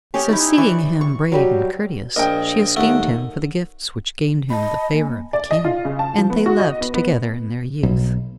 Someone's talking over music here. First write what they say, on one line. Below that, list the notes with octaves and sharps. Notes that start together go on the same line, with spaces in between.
So seeing him brave and courteous, she esteemed him for the gifts which gained him the favour of the King, and they loved together in their youth.
C#4 G4 C#5 D#5
D#4 E4
E3 D5 C#6
C#6
F#3 G3 G4
A#1 D#5 G5
D#2 A3 F#5
D#5 A5 B5
A#3 G#5
D5
D#5
F4
C#3
A5
F3
B3
F#4
D#5
B3
B3
B1